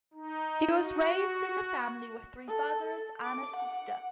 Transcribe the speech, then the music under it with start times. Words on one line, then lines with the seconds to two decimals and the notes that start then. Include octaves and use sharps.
He was raised in a family with three brothers and a sister.
0.14 D#4
0.81 F#4
2.47 A4
3.23 D6
3.56 F#5